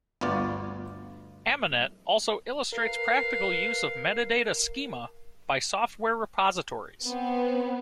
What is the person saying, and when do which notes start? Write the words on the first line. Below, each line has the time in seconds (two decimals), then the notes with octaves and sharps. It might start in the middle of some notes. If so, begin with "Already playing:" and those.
Aminet also illustrates practical use of metadata schema by software repositories.
0.21 G1 D2 B3 F4 D5
2.73 A#4 B4 F5
7.04 B3 C4